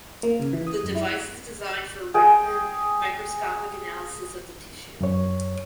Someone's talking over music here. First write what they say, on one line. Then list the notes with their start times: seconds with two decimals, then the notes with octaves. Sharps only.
The device is designed for rapid microscopic analysis of the tissue.
0.23 A#3
0.40 C#3
0.53 E3
0.67 D#6
0.83 F#2
0.95 E4
2.14 G#4 G5
5.01 F#2 C#5